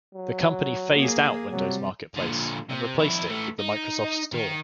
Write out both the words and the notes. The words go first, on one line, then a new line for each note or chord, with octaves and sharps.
The company phased-out Windows Marketplace, and replaced it with the Microsoft Store.
F#3
A#3 G#4
C3 F#3 G3
A#2 D3
C3
F2 E4
E3 A3
D#4
D#3